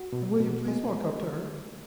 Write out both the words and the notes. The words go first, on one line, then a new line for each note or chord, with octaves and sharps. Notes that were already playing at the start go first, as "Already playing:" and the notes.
"And will you please walk up to her?"
Already playing: F#4
B2
B2
G#3
G#3